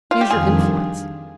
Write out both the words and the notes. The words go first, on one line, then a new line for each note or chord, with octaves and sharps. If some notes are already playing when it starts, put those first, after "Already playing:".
Use your influence.
F4
G4
F2 D#3 G3 D4 F4 G#4